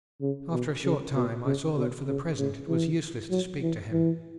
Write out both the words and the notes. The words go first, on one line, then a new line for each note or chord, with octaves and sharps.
After a short time I saw that for the present it was useless to speak to him.
C#3
B2
C#3
B2
C#3
B2
C#3
C#3
E3
F#3
E3
E3